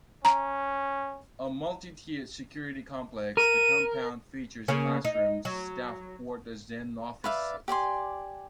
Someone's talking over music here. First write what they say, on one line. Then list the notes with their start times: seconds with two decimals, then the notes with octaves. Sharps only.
A multi-tiered security complex, the compound features classrooms, staff quarters and offices.
0.25 C#4 A#5
3.37 A#4 D#7
4.68 C#3 A#3 C#4
5.05 D#4
5.45 F#3
7.24 B4 D5 E5 F5
7.68 G4 D5 G#5 C6